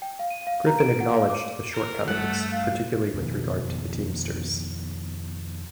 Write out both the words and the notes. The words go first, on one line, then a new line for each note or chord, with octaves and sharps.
Griffin acknowledged the shortcomings, particularly with regard to the Teamsters.
G5
F5
D#7
F5
A#5
D7
F#5
F5
D6
A#4
G2 A3 F#5
F5
F2 B2 D#3